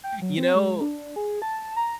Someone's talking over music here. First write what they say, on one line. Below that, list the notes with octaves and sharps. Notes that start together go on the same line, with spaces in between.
You know
G5
F#3
C4
G#3
D4
G#4
A5
A#5